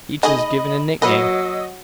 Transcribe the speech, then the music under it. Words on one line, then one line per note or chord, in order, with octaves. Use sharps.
Each was given a nickname.
A3 D#4 G#4 D#5 B5
F#3 A#3 B4 D#5 E6